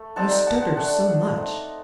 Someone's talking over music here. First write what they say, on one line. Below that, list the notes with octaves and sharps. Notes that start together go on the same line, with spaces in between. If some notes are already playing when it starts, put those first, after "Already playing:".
You stutter so much.
Already playing: A3
G3 C4 D#4 F#5 A5
G5 A#5
F#5 A5
F#5 A5
A3 D4 F#5 A5
A3 C4 D#4